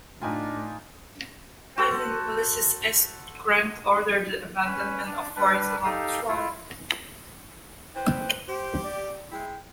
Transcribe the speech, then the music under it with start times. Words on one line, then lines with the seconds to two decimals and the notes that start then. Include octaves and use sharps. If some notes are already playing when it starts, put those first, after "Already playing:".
President Ulysses S. Grant ordered the abandonment of forts along the trail.
0.22 A2 D4 D#4 F4 G5 G#5 D6
1.78 F#4 A4 C5
4.65 C#4 B4
5.06 D4
5.36 G3 D4 B4
5.85 D#4 G4 A4 F5
6.28 E4 F4
7.96 E3 B4 C5 G5
8.48 G4 C5
8.84 D5
9.32 G#3 E4 G5